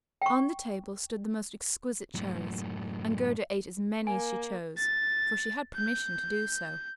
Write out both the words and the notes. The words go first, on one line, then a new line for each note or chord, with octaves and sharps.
On the table stood the most exquisite cherries, and Gerda ate as many as she chose, for she had permission to do so.
G5 C#6
F#2 A2
A#3 G#5
A6
G6